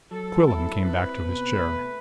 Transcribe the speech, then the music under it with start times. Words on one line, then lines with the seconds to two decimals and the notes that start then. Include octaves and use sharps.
Quillan came back to his chair.
0.11 F#3 A4
0.47 E4 A4
0.83 C4 B4
1.19 B2
1.55 A3